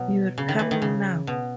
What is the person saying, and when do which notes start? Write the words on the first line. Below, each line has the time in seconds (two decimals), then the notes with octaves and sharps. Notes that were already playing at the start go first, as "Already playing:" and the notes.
You're coming now.
Already playing: B2 F#3
0.38 C#3
0.49 D#3
0.59 E3
0.71 D#3
0.82 C#3
1.27 B2